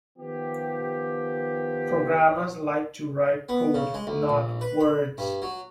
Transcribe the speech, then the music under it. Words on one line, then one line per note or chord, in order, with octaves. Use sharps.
Programmers like to write code; not words.
D#3 F3 B3 G4
B3
C#3
G#3
D2
A#1
B4
B5
G2
F#3